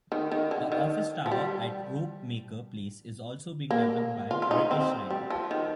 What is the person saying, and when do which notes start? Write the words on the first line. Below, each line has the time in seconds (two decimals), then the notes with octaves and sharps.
A office tower at Ropemaker Place is also being developed by British Land.
0.12 D#3
0.32 D#3
0.51 D3
0.72 D#3
1.26 F3
1.32 G3
3.71 A#3
4.31 F4
4.42 F4
4.51 D#4
4.71 C4
5.10 G3
5.30 F3
5.51 D#3